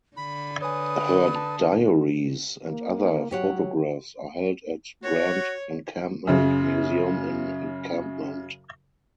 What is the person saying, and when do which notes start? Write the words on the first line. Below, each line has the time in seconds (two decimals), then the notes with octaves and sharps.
Her diaries and other photographs are held at Grand Encampment Museum in Encampment.
0.17 D3 B5
0.61 B4 C#5 G#5 D#6
1.35 A5
2.68 A#3
3.31 F#3 G4 C#5 F#5
5.03 F#4 C#5
6.27 F#2 C#3